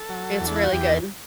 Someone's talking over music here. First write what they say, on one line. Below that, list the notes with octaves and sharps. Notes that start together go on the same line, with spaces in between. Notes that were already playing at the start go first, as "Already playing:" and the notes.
it's really good.
Already playing: A4
F#3
E2
D4
E4
F#4
E2 G4